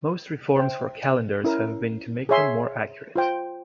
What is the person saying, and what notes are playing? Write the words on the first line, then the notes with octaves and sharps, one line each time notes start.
Most reforms for calendars have been to make them more accurate.
C5 E5 G5
C#4 E4 A#4
G#4 C#5 E5 G#5 C6
F4 C5 G5